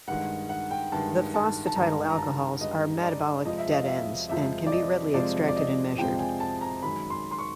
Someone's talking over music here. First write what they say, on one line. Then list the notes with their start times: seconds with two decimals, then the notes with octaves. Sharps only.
The phosphatidyl alcohols are metabolic dead-ends, and can be readily extracted and measured.
0.08 G2 D#3 G#3 F#5
0.49 F#5
0.71 G5
0.92 G2 D#3 G#3 A5
1.34 A5
1.67 A5
1.76 G2 D#3 G#3 A#5
2.10 A#5
2.18 A5
2.61 G2 D#3 G#3 D#5
3.03 D5
3.45 F2 C3 F3 G#3 D#5
3.58 E5
3.71 D#5
3.81 F5
3.87 E5
4.29 F2 C3 F3 G#3 E5
4.67 D5
4.72 D#5
5.14 F2 C3 F3 G#3 D5
5.48 D5
5.56 D#5
5.98 F2 C3 F3 G#3 G5
6.19 G#5
6.40 A5
6.61 A#5
6.82 F#2 D#3 G#3 B5
7.10 C6
7.31 C6
7.38 C#6